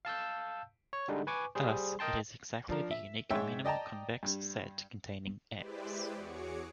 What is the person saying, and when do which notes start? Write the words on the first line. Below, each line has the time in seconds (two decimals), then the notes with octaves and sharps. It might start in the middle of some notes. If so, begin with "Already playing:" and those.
Thus, it is exactly the unique minimal convex set containing "X".
0.05 F5 A5 E6 G6
0.93 C#5
1.08 D3 G3 G#3 D4 D#4
1.27 B4 G#5 C#6 D6
1.55 G3 G#4 C5
1.99 A#4 D#5 G5 A5 C6
2.69 F3 D4 A#4
2.91 E5
3.31 G#2 C#5 E5 G5 E6
3.65 D5 D#5 G5 A5 A#5
4.23 G2
5.55 G#3 E4 G4 B4 C5 D5
6.14 E2 F#4 G#4 C#5 D6 C#7